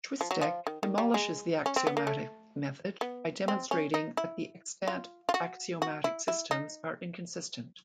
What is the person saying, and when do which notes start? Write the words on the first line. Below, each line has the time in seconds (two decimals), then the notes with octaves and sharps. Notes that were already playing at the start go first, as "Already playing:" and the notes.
Chwistek demolishes the axiomatic method by demonstrating that the extant axiomatic systems are inconsistent.
0.21 F3
0.31 F#3
0.41 F3
0.67 D#3
0.83 D#3
0.98 G3
1.14 G#3
1.66 C#4
1.76 C4
1.87 B3
1.97 A#3
2.07 A3
3.01 B3
3.48 C4
3.71 C#4
3.94 D#4
4.17 E4
4.88 F4
5.29 F4
5.34 F#4
5.82 F#4
6.04 E4
6.28 E4
6.51 D#4